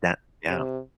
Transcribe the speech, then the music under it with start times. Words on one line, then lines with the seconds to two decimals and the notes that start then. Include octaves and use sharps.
That Yeah.
0.49 C3